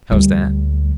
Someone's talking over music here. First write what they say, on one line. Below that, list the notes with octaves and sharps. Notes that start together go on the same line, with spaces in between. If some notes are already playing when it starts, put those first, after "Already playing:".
How's that?
D2 G3